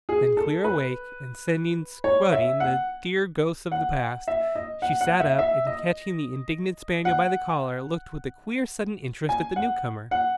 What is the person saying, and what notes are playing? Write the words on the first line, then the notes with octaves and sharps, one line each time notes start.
Then clear awake, and sending scudding the dear ghosts of the past, she sat up, and catching the indignant spaniel by the collar, looked with a queer, sudden interest at the newcomer.
G#4
A4
B4
C#5
E5
F#5
F#5
E5
D#5
F#5
F#5
E5
E5
D#5
F#5
G#5
F#5
F#5